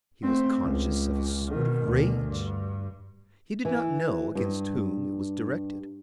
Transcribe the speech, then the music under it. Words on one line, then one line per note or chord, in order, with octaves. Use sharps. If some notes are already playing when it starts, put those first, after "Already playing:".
He was conscious of a sort of rage; he did not know against whom it was directed.
A3 C4
C#2
B2 D#3
D2 B2
G2
E3
G2